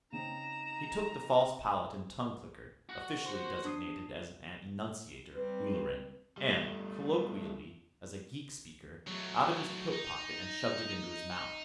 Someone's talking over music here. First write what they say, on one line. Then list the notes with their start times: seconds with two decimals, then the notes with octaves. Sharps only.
He took the false palate and tongue-clicker, officially designated as an "enunciator, Ulleran" and, colloquially, as a geek-speaker, out of his coat pocket and shoved it into his mouth.
0.12 C#3 C4 D#4 A#5 E7
2.89 F#4 F#5
3.26 C5 C6
3.65 D4 D#6 C7
5.35 G3 C4 B4
6.37 G3 A3
9.07 F#3 A3
9.92 D#4